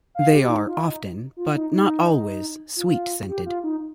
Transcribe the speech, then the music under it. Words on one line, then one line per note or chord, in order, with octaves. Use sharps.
They are often, but not always, sweet-scented.
F5
G4
D#4
F4
D#4
F4
D#4
D#4
F4
G4
F4
D#4